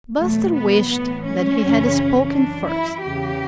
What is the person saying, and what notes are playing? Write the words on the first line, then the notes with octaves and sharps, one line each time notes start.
Buster wished that he had spoken first.
E2 B2 F#3 A3
B3
A2 E3 B3
C#4
F#2 C#3 E3
F#2 E3 D4
E4
E2 C#3 E3 G4